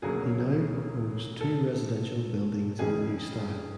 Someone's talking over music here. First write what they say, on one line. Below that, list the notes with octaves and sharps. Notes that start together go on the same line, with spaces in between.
He now proposed two residential buildings in the new style.
E1 D2 C#3 F#3 A#3 G#4
A4
F2 C#3 E3 G#3 G#4